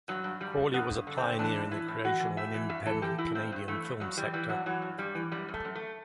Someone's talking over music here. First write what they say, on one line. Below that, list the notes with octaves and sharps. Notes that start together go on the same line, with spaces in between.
Crawley was a pioneer in the creation of an independent Canadian film sector.
G2 F#3
G2
G2 G3
G2
G2 B3
G2
D3
G2 C4
E3 D4
A2
E3 E4
A2
E3 F#4
E3
A2 E5
E3
G2 E5
E3 A4
E3 G4
E3 E4
G2 C4
G2
E3 A3
G2
G2 F#3
E3 G3
E3 G3
G2 F#3
E3 F#3
G2
G2 G3
E3
F#2 G3
F#2
A3
F#2
A3